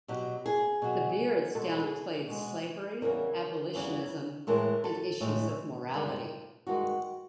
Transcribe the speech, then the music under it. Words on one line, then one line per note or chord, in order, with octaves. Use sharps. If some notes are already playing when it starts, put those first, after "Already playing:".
The Beards downplayed slavery, abolitionism, and issues of morality.
B2 F#3 G4
G#4
B2 F#3
B2 G#3 A4
G#4
B2 G#3
E2 C#3 E3 G3 A#4
E2 C#3 E3 G3
A2 E3 G#3 A#4
A4
A2 E3 G#3
G2 D#3 G#3
G2 D#3 G#3 F#4